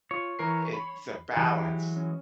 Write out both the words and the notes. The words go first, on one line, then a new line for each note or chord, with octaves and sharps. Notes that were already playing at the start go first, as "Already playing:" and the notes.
It's a balance,
F4 C#5
E3 A#4 C7
B5
E3 F#3 G#3 G4
C#4